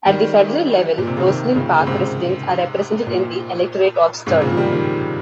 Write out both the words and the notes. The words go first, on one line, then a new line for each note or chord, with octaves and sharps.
At the Federal level, Rosslyn Park residents are represented in the electorate of Sturt.
D#3 G3
A#2
C3
C#3
C3 D#3
A#2 C#3
C#3
G#2 C3
A#2
G#2 C3
A#2 C#3
F3
D#3 G3
D#3 G3